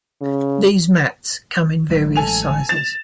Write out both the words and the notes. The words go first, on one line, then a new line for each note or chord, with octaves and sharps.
These mats come in various sizes.
C#3
A1 F#3 G#3
A4 G#5 F7
A6 E7 F7